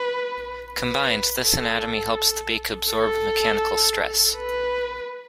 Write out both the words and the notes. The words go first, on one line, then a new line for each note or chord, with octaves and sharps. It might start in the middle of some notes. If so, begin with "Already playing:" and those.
Combined, this anatomy helps the beak absorb mechanical stress.
Already playing: B4
B4
A4
A4
B4